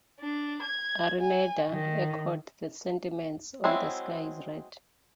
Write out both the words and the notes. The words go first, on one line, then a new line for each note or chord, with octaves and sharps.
Araneda echoed the sentiments on "The Sky Is Red".
D4
G#6
G#5
D#3
F#3 G#3 C4 E4